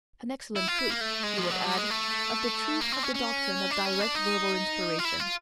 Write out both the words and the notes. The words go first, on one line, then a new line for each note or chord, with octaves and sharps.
"An excellent proof," he would add, "of the truth of the doctrine of direct verbal inspiration."
E4
F4
E4
A#3
A3
G#3
F3
F#3
G3
G#3
A3
A#3
C4
C#4
C#4
D4
C#4
D4
D#4
F4
E4
F4